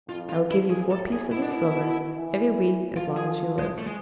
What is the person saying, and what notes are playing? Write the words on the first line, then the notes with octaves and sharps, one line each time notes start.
I will give you four pieces of silver every week as long as you live.
F2 F4
F4
F2 E4
G#4
A2 A4
G#4
B2 E4
D4
E4
E3
F3 F4
G#4
G#3
A3
G#3